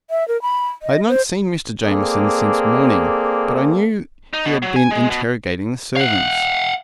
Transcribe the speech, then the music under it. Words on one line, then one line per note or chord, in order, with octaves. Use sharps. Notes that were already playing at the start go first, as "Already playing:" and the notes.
I had not seen Mr. Jamieson since morning, but I knew he had been interrogating the servants.
E5
A#4
B5
D#5
C5
A#3 C4 G#4 A4 D5
D#4
B2
F#3
G#5
G#3
B2
F5 F#5